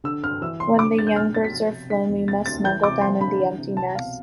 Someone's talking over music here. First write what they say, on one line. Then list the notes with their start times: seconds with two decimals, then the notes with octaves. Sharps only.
When the young birds are flown we must snuggle down in the empty nest.
0.04 D3 E6
0.23 G2 F6
0.42 E3 E6
0.60 C3 C6
0.78 D3 D6
0.97 G2 A6
1.07 G6
1.16 B1 F6
1.35 B2 A6
1.44 B6
1.54 F3
1.71 C3
1.90 D3 B6
2.09 E2
2.28 C3 A6
2.46 D2 A6
2.64 E3 G6
2.84 C3 D6
3.01 F3 C6
3.20 D3 B5
3.39 E3
3.58 C3
3.77 C2 A5
3.95 B2 F5